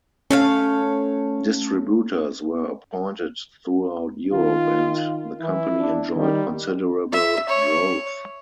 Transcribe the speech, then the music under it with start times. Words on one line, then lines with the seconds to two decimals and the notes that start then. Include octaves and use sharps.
Distributors were appointed throughout Europe and the company enjoyed considerable growth.
0.30 A3 C#4 C#5 F5
4.33 D#3 F4
5.41 E3 E4
5.80 D4
6.16 D#3 G3
7.12 E5
7.49 C#5